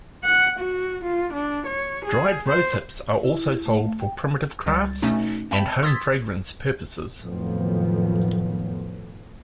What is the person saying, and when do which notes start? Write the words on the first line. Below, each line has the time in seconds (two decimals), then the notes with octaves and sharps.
Dried rose hips are also sold for primitive crafts and home fragrance purposes.
0.24 F#5
0.59 F#4
1.04 F4
1.33 D4
1.66 C#5
2.04 G#4
2.47 C5
3.24 E4
3.66 A3
4.01 G5
4.66 C#2 G3 A6
5.02 B2 A3 C#4 D#4
5.51 C4 E5 G5 A5 B5
5.83 C6 D#6 E6 G#6 A6 B6
7.23 F2 A2 D#3 F3 F#3 B3